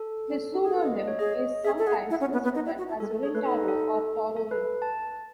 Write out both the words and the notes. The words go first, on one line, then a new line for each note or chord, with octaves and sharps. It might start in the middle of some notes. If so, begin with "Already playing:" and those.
His pseudonym is sometimes miswritten as Rin Taro or Taro Rin.
Already playing: A4
C#4
D#4
G#4
A4 B4
D#5
D#5
C#5
G#4 D#5
G#4 E5
A4
G#4 F#5
E4
C#4
B3
B3
D#4
E4
F#4
E4
G#3 A4
A3 A4
G#4 C#5
A3 B4
D#4 A4
A4
A4
B4
A5